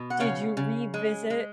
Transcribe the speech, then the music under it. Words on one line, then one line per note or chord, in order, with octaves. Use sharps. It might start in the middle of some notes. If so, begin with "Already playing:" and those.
did you revisit
Already playing: B2
F#5
C#3 C#5 F5
C#3
G#3
G#3